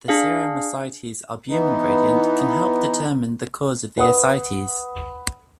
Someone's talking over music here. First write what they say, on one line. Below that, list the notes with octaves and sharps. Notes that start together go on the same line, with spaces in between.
The serum-ascites albumin gradient can help determine the cause of the ascites.
D4 G#4 F5
E3 B3 D#4
B4 F#5 D#6